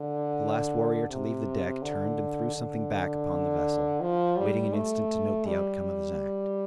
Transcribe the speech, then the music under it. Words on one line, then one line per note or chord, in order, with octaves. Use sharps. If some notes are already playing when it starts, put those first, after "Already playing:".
The last warrior to leave the deck turned and threw something back upon the vessel, waiting an instant to note the outcome of his act.
Already playing: D3
C3
D3
D3
F3
G3
A3
G3